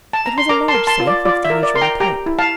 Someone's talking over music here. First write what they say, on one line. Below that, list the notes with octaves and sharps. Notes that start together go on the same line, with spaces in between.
It was a large safe of the usual type.
A5
A#5
C6
A#4 A#5 D6
A5 C6
A#4
A5 C6
F4
D5
F4 D5
E5
A#4
D5
A#4 C6
G5 A#5
G4 G5 A#5
E4
F5 A5